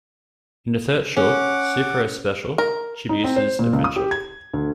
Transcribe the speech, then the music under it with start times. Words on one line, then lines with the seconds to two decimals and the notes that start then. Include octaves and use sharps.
In the third short, SuperS Special: Chibiusa's Adventure!
1.17 C#4 F#5 D6
2.58 A#4
3.09 D#4
3.24 C4
3.36 C5
3.59 A#2
3.73 C#2
3.84 D#6
3.96 G4
4.11 G#6
4.53 D2